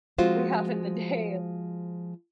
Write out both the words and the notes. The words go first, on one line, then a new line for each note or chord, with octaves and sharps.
we have in the day, and
F3 G#3 C4 F4 F#4 C5